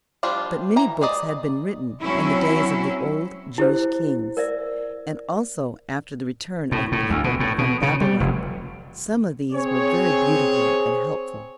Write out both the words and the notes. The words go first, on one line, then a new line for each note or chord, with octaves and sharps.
But many books had been written in the days of the old Jewish kings, and also after the return of the people from Babylon: some of these were very beautiful and helpful.
F3 G3 D4 F4
E3 A#5
G#3 D5 D#5
F#3 C4 C#4 E4
E4 G4 C5
A#4 D5 E5
A2
A2
D2
B2
A2
B2
C#3
G3
F1
C4 G#4 C#5